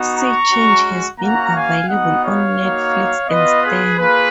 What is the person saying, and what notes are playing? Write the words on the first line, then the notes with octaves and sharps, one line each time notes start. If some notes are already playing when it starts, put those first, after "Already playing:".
SeaChange has been available on Netflix and Stan.
Already playing: B3 D#4 F#4
A#5 C#6
G#3 C#4 F#4
A#3 C#4 F#4 F#5 A#5
F5 G#5
B3 D#4 F#4 D#5 F#5
C#5 F5
A#3 D#4 F#4
B3 F4 B4 D#5
G#4 B4
A#3 F4 G#4 B4